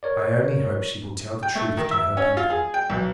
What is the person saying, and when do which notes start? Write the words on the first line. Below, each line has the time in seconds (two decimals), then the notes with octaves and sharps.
I only hope she will tell the truth to her people.
0.03 A#4 C#5 D5
1.43 G5
1.55 A3
1.77 D#3
1.91 E5
2.17 C#4
2.37 F4
2.50 G#4
2.74 G5
2.90 B1